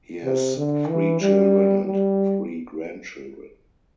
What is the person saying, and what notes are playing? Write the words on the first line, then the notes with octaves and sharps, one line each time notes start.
He has three children and three grandchildren.
C3
D3
E3
G3
G3